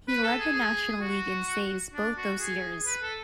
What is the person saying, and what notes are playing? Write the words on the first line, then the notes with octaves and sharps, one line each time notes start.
He led the National League in saves both those years.
B4
A4
G#4
G#4
F#4
D4
F#4
G#4
B4
A4